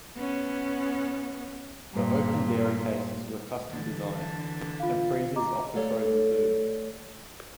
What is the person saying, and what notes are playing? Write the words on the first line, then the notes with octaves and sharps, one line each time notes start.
The open dairy cases were custom designed, and freezers offered frozen food.
B3 C#4
G2 A#2
D3 E3 D4
F4 F5
D#5 A#5 D6
A3 A4 C#5 D5 F5